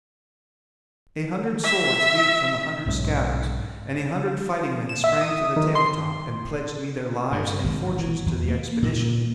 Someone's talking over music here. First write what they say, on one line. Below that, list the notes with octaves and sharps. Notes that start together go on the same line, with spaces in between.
A hundred swords leaped from a hundred scabbards, and a hundred fighting-men sprang to the table-top and pledged me their lives and fortunes to the expedition.
E5
B1 G#2 G#3 C#4
E7
E5
D#6
D#3
C6
G2
G#1
E3
E2
A#3
A#2